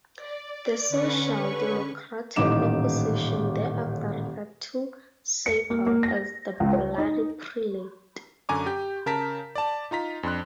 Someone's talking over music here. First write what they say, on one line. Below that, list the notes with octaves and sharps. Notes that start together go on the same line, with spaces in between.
The Social Democratic opposition thereafter referred to Seipel as the "Bloody Prelate".
D5
D3 C#4 B4 C#6
D#1 A1 D#4 D6 E7
C#7
A#3
A#3
A#6
C#2
C#5
D#4
F#2 D3 G#5 A#5 C#6 D6
G4 G6
C#3 A#4 A5 B6
D5 A5
D#4 F4 A#5 B6
F2 D4 C6 F#6